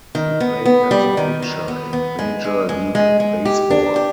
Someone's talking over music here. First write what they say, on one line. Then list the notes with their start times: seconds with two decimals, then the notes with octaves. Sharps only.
He played as a pitcher in Major League Baseball.
0.15 D#3
0.40 B3
0.66 B3
0.91 G3
1.17 D#3
1.42 D#3
1.68 B3
1.93 B3
2.19 G#3
2.44 G#3
2.69 G#3
2.95 G#3
3.20 G#3
3.45 G4
3.71 D4
3.96 G4